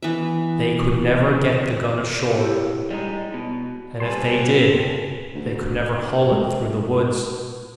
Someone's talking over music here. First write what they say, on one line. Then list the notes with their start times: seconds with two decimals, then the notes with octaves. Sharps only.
"They could never get the gun ashore, and if they did, they could never haul it through the woods."
0.02 E3 B3 E5
2.39 E4 G4 C#5
2.91 G3 G#3 D#4
3.34 B2
4.00 G3 C4 B4 G#5 A5 C6
5.35 D2
6.31 G#3